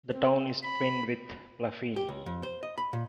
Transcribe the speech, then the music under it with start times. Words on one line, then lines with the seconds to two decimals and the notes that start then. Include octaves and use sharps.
The town is twinned with Plaffeien.
0.12 C4
0.63 B5
1.96 G4
2.09 C#2
2.26 F2
2.43 C5
2.63 D#5
2.78 B5
2.93 A#2